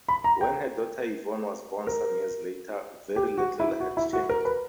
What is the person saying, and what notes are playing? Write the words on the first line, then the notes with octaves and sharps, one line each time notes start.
When her daughter Yvonne was born some years later very little had changed.
B5
A#5
G5
A#4
G4
F#4
E4
F#4
E4
F#4
A#4
B4